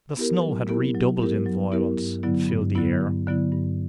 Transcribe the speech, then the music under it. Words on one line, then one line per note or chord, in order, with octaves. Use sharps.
The snow had redoubled in violence, and filled the air.
B3 E4 G4 A#4
F#3
B3 E4 G4 A#4
F#3
B3 E4 G4 A#4
F#3
B3 E4 G4 A#4
G2
D3 F#3 B3 E4
G2
D3 F#3 B3 E4
G2
D3 F#3 B3 E4
G2